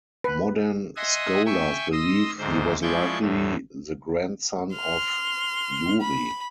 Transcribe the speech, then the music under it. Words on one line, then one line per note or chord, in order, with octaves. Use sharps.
Modern scholars believe he was likely the grandson of Yuri.
B4
D#5 E5 F#5 G#5 C6 D#6
E5 G5 G#5 C#6 E6
D#5 C6 D#6 E6
D2 G#2 C5
F3 G#3 E4 D5 C#6 G6
E2 A2
C6 F6
B5